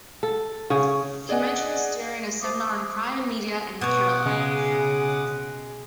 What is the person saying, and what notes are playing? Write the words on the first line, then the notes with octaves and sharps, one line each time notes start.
He mentioned this during a seminar on "Crime and Media" in Kerala.
A4
C#3 C#4 G#4
G#4 D5 D#5 F#5 G#5
C5 D6 D#6
B2 C#5 F#5 D6 D#6
C#3 G#3